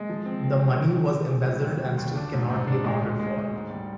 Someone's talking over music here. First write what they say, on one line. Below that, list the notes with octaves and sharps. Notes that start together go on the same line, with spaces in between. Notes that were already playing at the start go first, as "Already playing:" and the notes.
The money was embezzled and still cannot be accounted for.
Already playing: G#3
F3
C4
C4
C4
D#3
G#4
D#3
G#4
G3
D#2
G3
D#2
D4
G#2
G#2
D4
G#3
D2
G#3
D2
G#2
G3